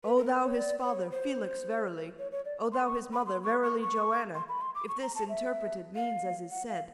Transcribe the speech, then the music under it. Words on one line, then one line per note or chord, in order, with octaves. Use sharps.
O thou his father, Felix verily! O thou his mother, verily Joanna, If this, interpreted, means as is said!
B4
A#4
B4
C#5
D5
D5
C#5
C5
C#5
C#5
D5
C6
C#6
B5
C6
C#6
C#6
C#6
C6
B5
C6
D6
C#6
A#5
A5
E5
F5
F#5
F5